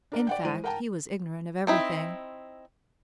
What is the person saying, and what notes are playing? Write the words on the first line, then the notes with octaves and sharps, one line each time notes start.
In fact, he was ignorant of everything.
D4 A#4 D5
D5 F#5 G5
E3 G#3 C5 D#7
A#4 F#5 G5 A5 A#5
C4 D#4 E4